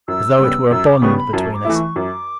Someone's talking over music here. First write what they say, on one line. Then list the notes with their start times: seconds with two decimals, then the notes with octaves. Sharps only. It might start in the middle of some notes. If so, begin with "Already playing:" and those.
As though it were a bond between us.
0.08 F#2 E6
0.39 C#3 G3 B3
0.71 F#2 E6
0.86 D6
1.02 C#3 G3 B3 C#6
1.17 B5
1.33 F#2 A5
1.54 D6
1.65 E3 A3 E4
1.75 C#6
1.96 F#2 D6